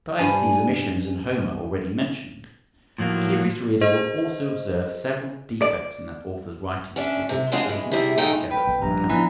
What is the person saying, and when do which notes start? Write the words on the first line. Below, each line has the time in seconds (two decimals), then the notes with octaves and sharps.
But besides these omissions in Homer already mentioned, the curious reader will also observe several defects in that author's writings for which he is not altogether so accountable.
0.19 G2 G#5
2.98 A2 F3 F#3 A#3
3.81 G#4 C5 D#5
5.62 D5
6.96 C#4 D4 E5
7.29 C3
7.52 F#3 G#3 C4 D4 F4 G#4
7.69 E3 G#3
7.92 C3 G3 E4 G#4
8.18 F3 G#3 A3 D#4 G5
8.51 B4 G5
8.67 B1
8.82 A#1 G2 A#5
9.09 E3 F3 B3 D4